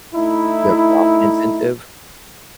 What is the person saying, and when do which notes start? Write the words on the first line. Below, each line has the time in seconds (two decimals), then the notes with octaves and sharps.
their profit incentive,
0.14 A3 D#4 E4